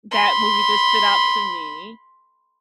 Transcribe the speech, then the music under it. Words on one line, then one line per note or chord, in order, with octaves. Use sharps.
that movie just stood out to me
B5 C6